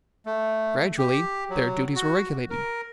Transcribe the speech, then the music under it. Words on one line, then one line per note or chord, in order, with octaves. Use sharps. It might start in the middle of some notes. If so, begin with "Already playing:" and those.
"GRADUALLY their duties were regulated."
A3
G4
F#3
F#4
A#4